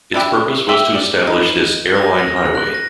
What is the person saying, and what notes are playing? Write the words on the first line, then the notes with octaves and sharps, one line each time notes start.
Its purpose was to establish this "Airline Highway".
D4 E4 G4
G4 E5
D5
D#4 B4
A#6
A#6
F6
F#6
A#6